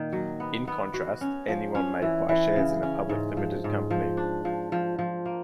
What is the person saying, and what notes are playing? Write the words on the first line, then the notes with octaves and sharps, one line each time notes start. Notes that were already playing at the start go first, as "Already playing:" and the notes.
In contrast, anyone may buy shares in a public limited company.
Already playing: A#2 D#3 A#3
F#3
B3
B3
F#4
C#4
F3
C#4
E3
E3
C#3
C#4
G#2
F3
G#2
F3
D4
F3
F3
F3
A#3